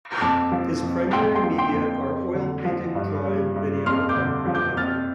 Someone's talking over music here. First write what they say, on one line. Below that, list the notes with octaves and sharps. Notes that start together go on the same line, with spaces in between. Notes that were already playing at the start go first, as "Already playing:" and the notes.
His primary media are oil painting, drawing, video and printmaking.
F2 A5 D6
F3
F2
F2 G5 C6
G5 C6
F3
G5 C6
F2
F2
D3
F3
G2
G3
G2
F2 C6 F6
D6 G6
D3
F3
D6 G6
F2 F6 A6